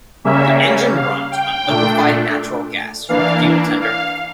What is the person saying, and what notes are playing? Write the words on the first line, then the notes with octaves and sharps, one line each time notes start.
The engine runs on liquefied natural gas from a fuel tender.
C#3 G3 A#3 C#4 E5
F5
G5
A#2 A3 D4
E3 A#3 D4 F5
F5